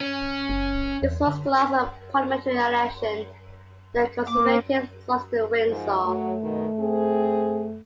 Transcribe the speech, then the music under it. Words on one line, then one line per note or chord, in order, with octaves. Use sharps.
This was the last Parliamentary election the Conservatives lost in Windsor.
C#4
F#1
E2
D3
A#3 D6
G#2 F3 G#3
F#3 A3
B2 D#3
C4 G#4